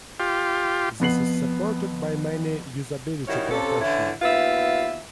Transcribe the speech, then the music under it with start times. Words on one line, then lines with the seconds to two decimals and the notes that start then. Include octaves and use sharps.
This is supported by many usability professionals.
0.20 F4 G4
1.00 F2 B3 C7 F#7
3.28 D#3 G3 C#4 E4 F#4
3.51 C3 C#4 F4 A4
3.81 D3 E3 C#4 E4
4.22 D#2 B3 E4 F4 E5